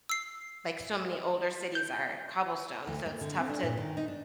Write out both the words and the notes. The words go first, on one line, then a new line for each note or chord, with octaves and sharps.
like, so many older cities are Cobblestone, so it's tough to
E6 C7
G6
D2
A#3
D3
C4
D4
A#2
D#3
D#4
D4